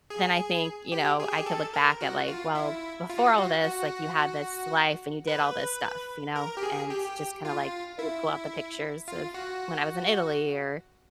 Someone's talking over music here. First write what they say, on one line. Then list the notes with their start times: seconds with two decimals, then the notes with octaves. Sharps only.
then I think, you know, I could look back at, like, "Well, before all this, like, you had this life, and you did all this stuff," you know, and just kinda, like, pull pull out the pictures of when I was in Italy or,
0.10 G#4
0.92 G4
1.20 G#4
1.31 G4
1.39 G#4
1.46 A4
1.74 A#4
2.01 F#4
2.28 F4
2.55 E4
3.10 F4
3.18 F#4
3.26 F4
3.37 F#4
3.64 F#4
5.28 B4
6.36 A#4
6.57 G4
6.63 G#4
6.90 G4
7.45 F4
7.99 E4
9.08 F4
9.34 F#4